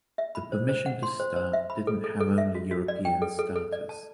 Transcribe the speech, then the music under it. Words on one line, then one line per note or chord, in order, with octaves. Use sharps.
The permission to start didn't have only European starters.
E5
B5
C5
C5
F#5
C6
C5
C5
E5
B5
A4
A4
A4
E5
F#4
F#4
D5
G5
A4
A4
A4
D5
A5